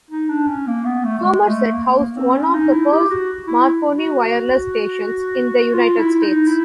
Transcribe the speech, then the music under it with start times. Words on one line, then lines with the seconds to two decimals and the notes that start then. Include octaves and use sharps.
Somerset housed one of the first Marconi Wireless Stations in the United States.
0.10 D#4
0.29 D4
0.47 C#4
0.67 A#3
0.85 B3
1.05 A3
1.19 A3
1.23 G#3
1.48 A3
1.72 A#3
1.98 A#3
2.16 C4
2.36 C#4
2.54 D#4
2.73 E4
2.92 G4
3.10 F#4
3.47 E4
3.98 F#4
5.73 F4
5.98 E4
6.23 D#4
6.48 E4